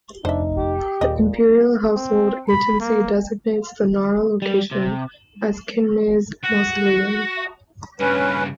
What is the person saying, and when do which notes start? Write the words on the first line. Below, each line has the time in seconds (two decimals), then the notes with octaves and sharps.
The Imperial Household Agency designates the Nara location as Kinmei's mausoleum.
0.25 F1 D4 D#4 C5 E5
0.57 G4
1.01 D#1 A#2 G#4 D#5
1.95 C4
2.49 B5
2.80 A#3
4.42 G3
4.71 C3
6.43 F#4
8.00 G2 C#3 C#4 B4